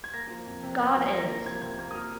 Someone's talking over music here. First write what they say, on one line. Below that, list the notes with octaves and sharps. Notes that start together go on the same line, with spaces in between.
God is.
G#6
A#3 A#6
F3
F2
C3
A#3
F3
C7
A#3 A#6
F3 A#6
C2 G#6
C3 G#6
A#3 G#6
D#6
F3 F6